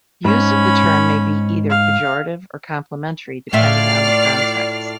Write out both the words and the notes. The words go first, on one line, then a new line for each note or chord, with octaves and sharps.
Use of the term may be either pejorative or complimentary, depending on the context.
G#2 C#4 B5
F5
A2 F4 D5 E5 F6 C7